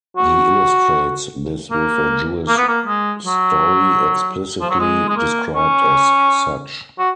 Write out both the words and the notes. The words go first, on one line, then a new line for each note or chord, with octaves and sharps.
He illustrates this with a Jewish story, explicitly described as such.
F#4
A#3
A#3
B3
A#3
G#3
F#3
F3
F#3
G#3
G#3
A#3
C#4
F#4